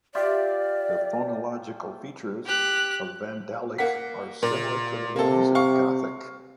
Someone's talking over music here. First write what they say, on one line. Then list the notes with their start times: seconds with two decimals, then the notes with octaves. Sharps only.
The phonological features of Vandalic are similar to the ones of Gothic.
0.15 F4 G4 D5 E5
2.46 G4 F#6
3.78 A#3 F#5 B6
4.42 A#2
5.16 C3 A#3 A4
5.55 F5 C#6